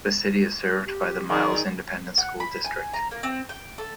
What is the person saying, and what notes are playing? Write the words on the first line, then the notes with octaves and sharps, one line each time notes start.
The city is served by the Miles Independent School District.
G4
D#3 G#4 D5
F#5
B5
G#5
A#5
A#3
C4
G5
A4